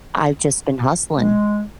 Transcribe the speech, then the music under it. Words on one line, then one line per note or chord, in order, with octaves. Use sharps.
I've just been hustling
G#3